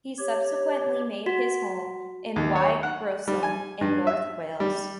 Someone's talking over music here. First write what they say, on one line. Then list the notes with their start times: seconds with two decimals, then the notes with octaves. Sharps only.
He subsequently made his home in Y Groeslon in North Wales.
0.18 G4 C#5
1.26 F#4
2.36 D#2
2.55 C#5
2.83 F#5
3.28 G3
3.43 G#5
3.81 G2
4.07 E5
4.60 G3